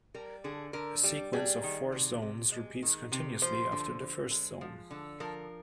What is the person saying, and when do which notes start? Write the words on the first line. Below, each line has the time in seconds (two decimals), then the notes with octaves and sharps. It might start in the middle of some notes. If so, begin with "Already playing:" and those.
A sequence of four zones repeats continuously after the first zone.
0.14 G3 A#4
0.44 D3 G#4
0.73 D3 A#4
1.04 G3
1.33 G3 G#4
1.63 D#3
1.92 C3
2.22 C3
2.52 G#3
2.83 D#3
3.12 C3
3.42 F3 C5
3.72 D3
4.01 D3
4.31 G#3
4.61 F3
4.91 D3
5.20 F3 A#4